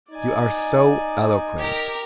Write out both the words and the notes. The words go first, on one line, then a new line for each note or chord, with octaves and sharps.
You are so eloquent.
D#4 D5 G#5
G4 A#4